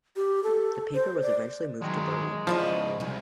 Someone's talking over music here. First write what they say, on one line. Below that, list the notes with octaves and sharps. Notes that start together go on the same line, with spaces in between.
The paper was eventually moved to Berlin.
G4
A4
C5
D5
D#3 F#3 G#3
G#2 C#3 F3 E4 D5 D#5
C2 F3 G#3